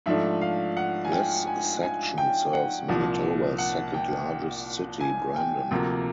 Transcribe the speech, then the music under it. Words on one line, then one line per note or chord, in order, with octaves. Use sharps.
This section serves Manitoba's second largest city, Brandon.
G#2 F3 A3 D4 E5
F5
F#5
G#5
G5
G#5
G#5
G5
F#5
C2 A#2 F3
F#5
G5
G#5
G5
D2 C3 F3 A#3